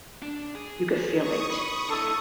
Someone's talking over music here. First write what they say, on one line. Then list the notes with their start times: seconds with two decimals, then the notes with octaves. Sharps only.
you could feel it.
0.22 D4
0.55 G#4
1.18 C#6 D#6
1.50 B5
1.89 D4 E4 A4